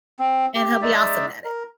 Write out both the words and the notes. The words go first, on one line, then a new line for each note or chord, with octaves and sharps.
and he'll be awesome at it.
C4
G4
G#3 D#4 D5 E5
A#4